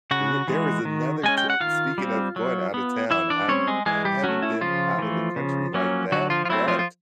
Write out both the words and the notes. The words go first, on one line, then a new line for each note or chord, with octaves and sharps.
uh, there was another t speaking of going out of town, I'm I haven't been out of the country like that, but,
C#3 F#4 F#5
E3 G#3
D#3
G#3 C#4 G#5
G5
F#5
D#3 F4 F5
G3 C4
F#3
B3
E3 E4 E5
D4 D5
G3 C4 C#4 C#5
G#3 G#4
E3 G#3 G#4
G3 G4
F#3 C#4 F#4
A3
E4
C#3 F3 F4
E3 A3
C#3
F#3 A#3 C#4
D3 F#3 F#4
F3 F4
F4
F#3 A3 C4 E4
F3 F4
F4